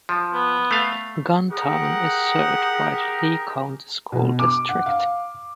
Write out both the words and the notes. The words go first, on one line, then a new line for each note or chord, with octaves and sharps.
Guntown is served by the Lee County School District.
F3
B3
A3 F5
D#4 G4 G#4 A#4 F#5
B2
D6
F#5
F5